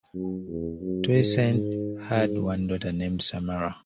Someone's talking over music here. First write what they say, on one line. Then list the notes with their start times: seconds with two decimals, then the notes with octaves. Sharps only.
Toussaint has one daughter named Samara.
0.15 F#2
0.48 E2
0.81 F#2
1.15 G#2
1.48 G#2
2.15 G#2